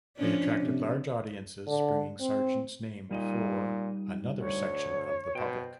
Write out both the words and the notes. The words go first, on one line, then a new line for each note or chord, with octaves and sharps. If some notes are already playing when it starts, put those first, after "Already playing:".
They attracted large audiences bringing Sargent's name before another section of the public.
F3 C#4 D4
C3
D3
C4
A#2 G3 D#4 D#5
D2 C#5
B2 C5 G5